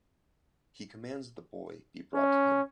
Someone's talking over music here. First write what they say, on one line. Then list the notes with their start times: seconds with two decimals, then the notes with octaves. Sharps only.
He commands the boy be brought to him.
2.14 C#4